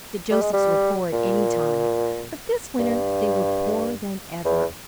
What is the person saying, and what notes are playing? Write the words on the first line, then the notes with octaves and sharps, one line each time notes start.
The Josephs were poor at any time, but this winter they were poorer than ever.
G3
G#3
G3
A#2
G2
E2